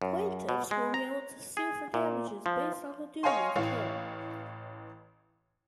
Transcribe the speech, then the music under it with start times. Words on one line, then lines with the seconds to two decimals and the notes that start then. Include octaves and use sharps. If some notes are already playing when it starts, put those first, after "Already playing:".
Plaintiffs will be able to sue for damages based on the duty of care.
0.02 F#2
0.49 B2
0.71 G#3
0.94 A#5
1.57 G#4
1.94 A#2
2.46 F3
3.23 C#5 D#5 F5 G5 G#5 C6
3.56 A1 E3 C#5 F5